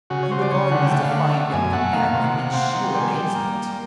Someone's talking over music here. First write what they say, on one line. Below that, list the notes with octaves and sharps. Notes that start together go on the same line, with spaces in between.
He regarded his defiant young companion in sheer amazement.
C#3 F#4
C#5
C#3 C5
D5
C#3 C#5
D3 F#5
A3 G5
F5
D3 F#5
A3
F#2 G#5
A3 F#5
D#3 F5
C3
F#5
C3
C4 F5
D#3 F#5
G5
G3
G#5
G3 G5
A#3
G3